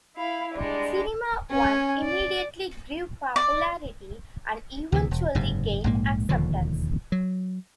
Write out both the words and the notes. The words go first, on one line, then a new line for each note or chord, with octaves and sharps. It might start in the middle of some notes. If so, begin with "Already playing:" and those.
Cinema One immediately grew popularity and eventually gained acceptance.
E4 F5 B5
G3 G#3 D4
C#4 G#5
D5
D5
D2 C3 E3
E1
F#1 G#2 C3
A#1 G#2 A#3
E1 D#2 D3 F3
F#3